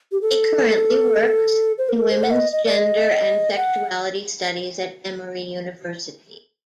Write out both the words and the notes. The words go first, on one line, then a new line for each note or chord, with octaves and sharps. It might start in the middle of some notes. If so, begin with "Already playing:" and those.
He currently works in Women's, Gender and Sexuality Studies at Emory University.
G4
A4
C5
A#4
C5
F#5
D#5
D#5
D5
D#5
F#5